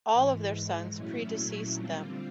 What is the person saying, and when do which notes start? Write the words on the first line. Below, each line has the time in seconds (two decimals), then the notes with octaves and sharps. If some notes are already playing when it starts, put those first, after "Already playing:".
All of their sons predeceased them.
0.12 G#2 E3 G#3
0.94 A#2 F#3 A3 C#4 E4
1.77 D3 G3 C4 F4